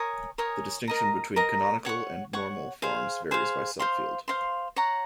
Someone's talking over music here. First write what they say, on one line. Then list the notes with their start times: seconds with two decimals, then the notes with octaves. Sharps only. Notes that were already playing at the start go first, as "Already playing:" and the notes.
The distinction between "canonical" and "normal" forms varies by subfield.
Already playing: A#4 C#5 G#5 D#6
0.38 A#4 C#5 G#5 D#6
0.88 A#4 D#5 A#5
1.36 A#4 D#5 A#5
1.85 C#5 F#5 C#6
2.33 C#5 F#5 C#6
2.82 G#4 C5 F5
3.31 G#4 C5 F5
3.79 C5 F5 C6
4.28 C5 F5 C6
4.76 C#5 F#5 A#5